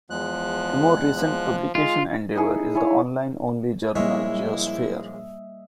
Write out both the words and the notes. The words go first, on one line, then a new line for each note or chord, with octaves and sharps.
A more recent publication endeavor is the online-only journal "Geosphere".
E2 F3 G#3 F#6
F3
G#3 F4
D#4 E4 G#4 A4
E4 G#4 A4 C#5
A#1 G3 G#3 A#3 E4 C#5 D#5 E5